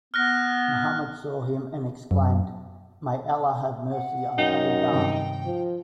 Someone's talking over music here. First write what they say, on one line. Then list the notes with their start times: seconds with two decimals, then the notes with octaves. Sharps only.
Muhammad saw him and exclaimed, May Allah have Mercy on Abu Dhar!.
0.14 B3 F6 F#6 A#6
2.11 F#2
3.91 F#5
4.38 F#2 D#4 F5 G5
4.92 G2 C3 D#3 G5
5.45 F3